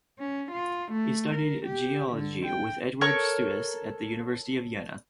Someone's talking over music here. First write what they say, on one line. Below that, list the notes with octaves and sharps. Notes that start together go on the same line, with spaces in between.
He studied geology with Eduard Suess at the University of Vienna.
C#4
F4
A3
A#4
G4
D3
G5
A4 A#4 C#5 C#6